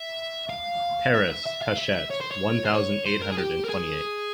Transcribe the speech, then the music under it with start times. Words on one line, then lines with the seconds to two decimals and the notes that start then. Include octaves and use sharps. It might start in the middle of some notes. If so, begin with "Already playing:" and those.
Paris, Hachette, one thousand eight hundred and twenty-eight.
Already playing: E5
0.50 F5
1.14 E5
1.30 E5
1.46 E5
1.62 F5
1.78 E5
2.10 C#5
2.20 C5
2.31 C#5
2.65 C5
2.74 C#5
3.06 C5
3.22 A#4
3.31 G#4
3.38 G4
3.65 A#4
3.69 G#4